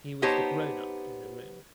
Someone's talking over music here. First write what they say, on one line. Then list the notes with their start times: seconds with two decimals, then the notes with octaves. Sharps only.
He was the grownup in the room.
0.22 B3 D#4 G4 C5 C#5 A5